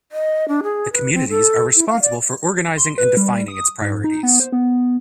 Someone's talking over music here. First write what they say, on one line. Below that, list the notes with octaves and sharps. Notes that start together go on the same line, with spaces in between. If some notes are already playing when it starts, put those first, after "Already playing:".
The communities are responsible for organizing and defining its priorities.
D#5
D4
G#4
B4
C4
A4
E4
F5
D5
C6
B4
G3
D#6
G#2
D#4
B3
C5
B3